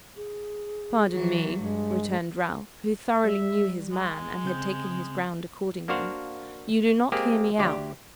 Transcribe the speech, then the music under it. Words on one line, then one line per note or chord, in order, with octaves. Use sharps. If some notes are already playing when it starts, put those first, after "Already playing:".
'Pardon me,' returned Ralph, who thoroughly knew his man, and had taken his ground accordingly; 'you do not hear me out.
G#4
E3 F#3
G2 G#3
G3 E5
G#3
C#3 C4 G6
A#3 D4 F#4 C5 F5 F#5
G#3 A#3 C4 G4 G#4
D2 G4 D5